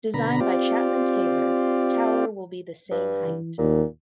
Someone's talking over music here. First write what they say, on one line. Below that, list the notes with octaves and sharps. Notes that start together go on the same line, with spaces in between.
Designed by Chapman Taylor, tower will be the same height.
B2 D3 A#5 B5
C4 F4 G4 D5
G2
E3
D#2 A#2